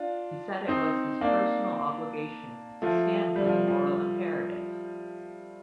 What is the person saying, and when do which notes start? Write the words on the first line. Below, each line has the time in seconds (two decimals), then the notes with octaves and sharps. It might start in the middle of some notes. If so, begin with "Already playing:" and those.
He said it was his personal obligation to stand for the moral imperative.
Already playing: D4 F4
0.68 C4 D#4
1.21 A#3 D4
2.82 F3 A3
3.36 G3
3.46 F3
3.68 F3